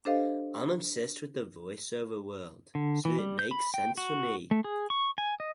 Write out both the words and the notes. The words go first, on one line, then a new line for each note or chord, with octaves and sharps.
I'm obsessed with the voice-over world, so it makes sense for me.
D4 G4 A4 C5 D#5 F5
D3
E3
G3
G6
B5
G5
F#4
A3
G#4
C#6
G#5
D#5